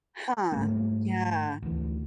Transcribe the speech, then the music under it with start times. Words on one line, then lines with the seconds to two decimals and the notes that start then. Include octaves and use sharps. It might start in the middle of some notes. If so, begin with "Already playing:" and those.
Huh. Yeah.
0.52 G#2 G3 A3 A#3
1.62 D2 E3